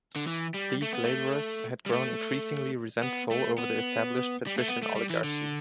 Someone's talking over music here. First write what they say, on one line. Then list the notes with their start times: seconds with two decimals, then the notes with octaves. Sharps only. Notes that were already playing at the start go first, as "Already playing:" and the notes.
These labourers had grown increasingly resentful over the established patrician oligarchy.
0.16 D3
0.27 E3
0.54 G3
0.82 A3
0.93 B3
1.04 A3
1.86 G3
1.92 A3
3.03 B3
3.31 A3
3.58 B3
4.47 G3
4.58 A3
4.68 B3
4.83 A3
4.95 G3
5.10 E3
5.24 D3